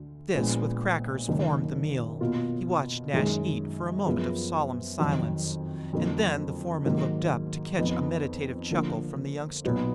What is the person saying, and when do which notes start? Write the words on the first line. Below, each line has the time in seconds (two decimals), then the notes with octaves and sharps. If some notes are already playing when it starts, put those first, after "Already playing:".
This with crackers, formed the meal. He watched Nash eat for a moment of solemn silence and then the foreman looked up to catch a meditative chuckle from the youngster.
Already playing: D2 D3
0.35 A#1 A#2 G#3 B3
1.28 F#1 F#2 D#3 A#3 D#4
2.21 B2 A#3 F4
3.13 F#2 D#3 G#3 D#4 G#4
4.06 F#2 F3 B3 F4 G#4
4.99 F2 D#3 F#3
5.93 F2 D3 F#3 A#3 D#4
6.86 G#2 D#3 F#3 A#3
7.79 F2 F3 B3 D#4
8.71 D3 F3 A#3
9.64 B1 A#2 F#3 B3 D#4